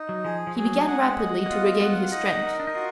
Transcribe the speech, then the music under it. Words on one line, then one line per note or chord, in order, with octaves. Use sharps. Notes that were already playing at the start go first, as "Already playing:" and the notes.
He began rapidly to regain his strength.
Already playing: D#4
F#3
F3 G#4
F3
F#3 G#4
G#3 F#5
D#5
A#3
B3 F4
B3 F#5
D#4 D#5
A#4
D4
D#4
F4 F#4